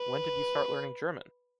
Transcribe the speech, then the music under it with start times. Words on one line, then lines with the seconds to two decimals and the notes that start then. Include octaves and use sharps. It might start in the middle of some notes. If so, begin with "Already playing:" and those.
When did you start learning German?
Already playing: B4